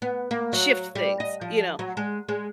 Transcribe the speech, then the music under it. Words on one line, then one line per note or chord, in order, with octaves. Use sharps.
shift things, you know,
B3
A#3
F#3
G3
D#5
F3
F#3
G#3
G#3